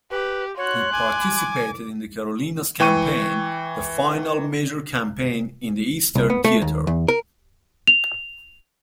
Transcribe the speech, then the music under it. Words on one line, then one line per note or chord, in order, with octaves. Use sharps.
He participated in the Carolinas Campaign, the final major campaign in the Eastern Theater.
G4 B4
F#4 C#5 C6 F#6
G#5 D6
E3 G5 C#6 D#7
C2
B3
A3
D#2
E2
A#4
F7